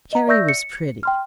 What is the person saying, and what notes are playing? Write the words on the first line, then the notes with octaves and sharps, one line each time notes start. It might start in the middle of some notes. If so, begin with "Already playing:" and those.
Carrie was pretty.
D#5 A#5
D5 E5 C#6 E6 G6 A#6
C#7
G5 C6 F6